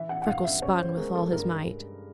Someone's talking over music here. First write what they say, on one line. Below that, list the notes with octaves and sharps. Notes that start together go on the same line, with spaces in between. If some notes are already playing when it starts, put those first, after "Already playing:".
Freckles spun with all his might.
Already playing: E3 E5
F#5
F#5
G2 F5
E5
C#3 C#5
C5
G#3 A#4
A4
G2 A#4